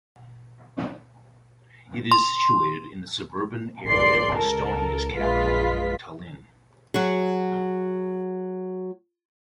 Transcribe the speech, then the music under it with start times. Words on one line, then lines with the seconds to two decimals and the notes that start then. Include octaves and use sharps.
It is situated in the suburban area of Estonia's capital, Tallinn.
2.12 C6
3.87 D5 C6 C7
4.36 C#2 A4 A#4
5.16 A#1 F#2 G#3 F4 B4 B6
6.94 F#3 F#4 G#4